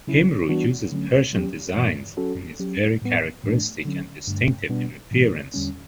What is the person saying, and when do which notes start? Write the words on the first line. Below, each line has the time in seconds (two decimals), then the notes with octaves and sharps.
Himroo uses Persian designs, and is very characteristic and distinctive in appearance.
0.07 C#3 F#3 C#4 E4
0.49 E3 G3 B3 D4 F#4
0.92 D3 F#3 A3 C#4
1.33 F#3 C#4 G4
1.75 G2 E3 B3
2.17 F#3 C#4 F#4 A4
2.59 F#3 C#4 G4
3.02 A2 G3 B3
3.43 A2 E3 A3 D4
3.85 D3 F#3 C#4
4.27 G2 D3 A3
4.70 B2 G3 B3 D4
5.11 A2 E3 A3
5.54 E2 D3 G3 C#4